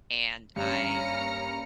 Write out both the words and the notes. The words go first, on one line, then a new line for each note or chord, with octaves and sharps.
And I
G2 A#3 C#4 A#5 F6 C#7